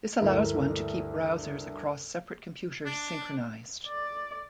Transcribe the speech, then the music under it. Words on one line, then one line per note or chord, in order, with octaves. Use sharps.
This allows one to keep browsers across separate computers synchronized.
D2 G2 A3 E4 A#4 E5
D4
D5